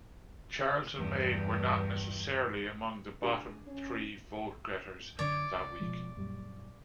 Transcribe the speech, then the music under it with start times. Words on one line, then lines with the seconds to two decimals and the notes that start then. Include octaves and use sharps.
Charles and Mae were not necessarily among the bottom three vote-getters that week.
0.96 E2 G2
3.21 D4 G#4
3.67 C#4
5.19 F#2 D3 D4 C#5 D5
5.55 C#2
5.79 B2 F3 G#3
6.17 F#2 A#2 G3